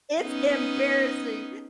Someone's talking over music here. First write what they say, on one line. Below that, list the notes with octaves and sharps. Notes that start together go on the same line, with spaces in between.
It's embarrassing,
B3 C#4 D#4